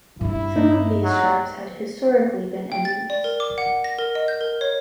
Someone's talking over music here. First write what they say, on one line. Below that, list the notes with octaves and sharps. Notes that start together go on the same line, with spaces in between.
Some of these tribes had historically been enemies.
G2 C4 E4
D#4
F#3
G5
A6
D5
A#4
D6
F#5
A#6
A#4
D#5
G6
A#4
C#5